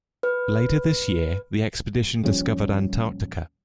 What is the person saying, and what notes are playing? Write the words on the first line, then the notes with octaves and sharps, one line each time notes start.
Later this year the expedition discovered Antarctica.
B4
D#1 F3 G3 C#4